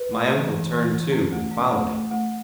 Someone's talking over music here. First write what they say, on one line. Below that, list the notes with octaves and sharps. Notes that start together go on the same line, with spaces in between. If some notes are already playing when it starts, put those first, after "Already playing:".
My uncle turned too, and followed it.
Already playing: B4
A3
E3
E3
E3
E3
C#4
A3
C#4
A3
A3
A3